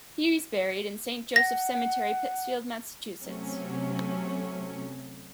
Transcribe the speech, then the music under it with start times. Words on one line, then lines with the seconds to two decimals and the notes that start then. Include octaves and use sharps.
He is buried in Saint Joseph Cemetery, Pittsfield, Massachusetts.
1.36 F#5 A#6
3.22 C3 F#3 A3 C#4